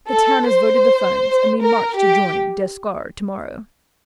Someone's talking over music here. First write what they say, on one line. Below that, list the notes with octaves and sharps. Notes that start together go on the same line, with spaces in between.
The town has voted the funds, and we march to join D'Escars tomorrow.
A4
C5
A#4
G4